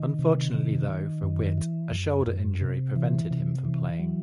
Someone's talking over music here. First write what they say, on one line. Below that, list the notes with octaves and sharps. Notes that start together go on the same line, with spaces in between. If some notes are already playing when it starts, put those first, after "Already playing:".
Unfortunately though for Witt, a shoulder injury prevented him from playing.
Already playing: D#3
C3
D#3
D#3
F#2
E3
F#2
F#2
C3
E3
C3
E3
F#3